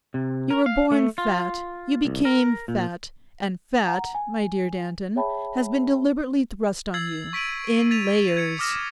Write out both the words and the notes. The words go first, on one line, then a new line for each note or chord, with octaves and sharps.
You were born fat; you became fat; and fat, my dear Danton, has been deliberately thrust on you--in layers!
C3
A#4
F5
A3
F4
C2
A#4
A#2
F#5 A#5
G#5
G#4 C#5 E5 G5 A5 B5
E6 G#6 A6 C7 F#7
C#6 B6 D7 D#7 F#7
A6 B6 D#7 F7
G#6 C#7 D#7
D6 D#6 F6 A#6 E7